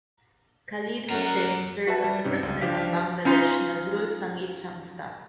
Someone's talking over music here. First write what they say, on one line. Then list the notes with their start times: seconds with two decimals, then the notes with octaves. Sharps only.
Khalid Hossain served as the president of Bangladesh Nazrul Sangeet Sangstha.
1.09 F#2 A#4 D5 F#5 A#5
1.87 F#4 B4 E5 A5
2.04 G3
2.24 G2 C3 C#4 D#4
2.43 C#2
2.61 F3 D4 G4 F5 B6
3.25 C#4 D#4 F4